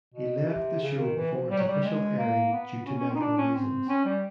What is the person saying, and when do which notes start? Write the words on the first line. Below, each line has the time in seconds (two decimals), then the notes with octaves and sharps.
He left the show before its official airing due to medical reasons.
0.14 B2
0.48 C3
0.82 C#3
0.99 D#3
1.16 E3
1.33 F3
1.50 G3
1.59 F#3
1.68 G3
1.84 G#3
2.18 A#3
2.53 B3
2.86 C#4
2.98 C#4
3.09 C4
3.15 D#4
3.20 D4
3.38 C#4
3.54 C4
3.89 C#4
4.05 G3